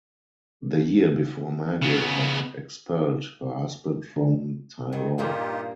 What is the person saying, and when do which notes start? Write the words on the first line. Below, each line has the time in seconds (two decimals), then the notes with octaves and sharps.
The year before Margaret had expelled her husband from Tyrol.
1.82 C#3 B3
4.16 D3
4.92 G2 D#3
5.18 G2 A#2 A#3 D#4 F4 G4